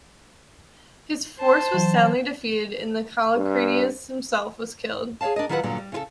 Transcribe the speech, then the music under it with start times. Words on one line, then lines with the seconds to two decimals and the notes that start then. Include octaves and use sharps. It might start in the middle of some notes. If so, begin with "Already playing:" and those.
His force was soundly defeated, and Callicratidas himself was killed.
1.39 C5 A5
1.74 E3 F#3
3.37 G2
5.21 G#4 C#5 D5 F5 A5
5.36 D4 A#4 D#5
5.49 D#3 F#3 E4 F4 B4 F#5
5.63 G2 A#2 D3 F#3
5.78 G3
5.92 C#3 F4 A4